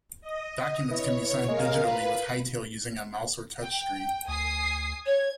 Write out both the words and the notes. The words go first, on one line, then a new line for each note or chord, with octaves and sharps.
Documents can be signed digitally with Hightail using a mouse or touch-screen.
D#5
E3 C#5
G#3 A#4 F5
F4 B4
G5
D2 G#5 D#6 C7
C#5 G#6